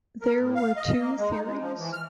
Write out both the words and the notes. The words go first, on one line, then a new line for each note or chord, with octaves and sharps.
There were two theories.
A#4
A2
F5
D#5
A#3
G#3
D#4
G#3
F3
E3
F6